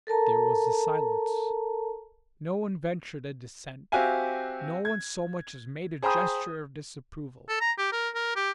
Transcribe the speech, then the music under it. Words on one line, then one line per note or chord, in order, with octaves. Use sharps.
There was a silence; no one ventured a dissent, no one so much as made a gesture of disapproval.
A4 A#4 A5 A#5
C4 F#4 G4 E5 F5 G#5
G#6
G#4 C5 G5 A#5 B5 D#6
A4
A#5
G4
A#4
A#4
G4